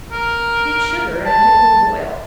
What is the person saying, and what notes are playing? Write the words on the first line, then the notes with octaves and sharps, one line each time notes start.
Heat sugar and it will boil.
A#4
A5